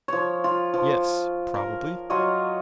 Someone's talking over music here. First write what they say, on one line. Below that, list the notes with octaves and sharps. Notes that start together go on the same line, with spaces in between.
Yes, probably.
F3 C#5
F4
F3
A#4
F#3 F4 C#5 D#5